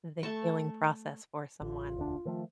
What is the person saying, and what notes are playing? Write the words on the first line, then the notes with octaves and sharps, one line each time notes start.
the healing process for someone.
A3 A5 C#6
A1 F4
E1 D2 D4
D#3 F3 A3